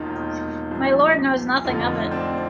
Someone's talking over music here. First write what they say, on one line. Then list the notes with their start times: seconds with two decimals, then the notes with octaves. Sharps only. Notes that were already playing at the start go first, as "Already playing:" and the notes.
My Lord knows nothing of it.
Already playing: E1 D#2 D#3 D#4 F4
0.71 C2 A#2 F3
1.65 F1 F2 D3 F3 D#4 F4
2.11 C4 D4